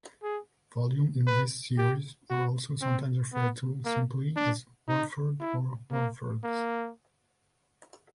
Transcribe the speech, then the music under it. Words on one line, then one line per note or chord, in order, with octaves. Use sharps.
Volumes in this series are also sometimes referred to simply as Walford or Walford's.
G#4
B4
G4
F#4
C4
B3
A#3
D4
D#4
E4
A#3
A#3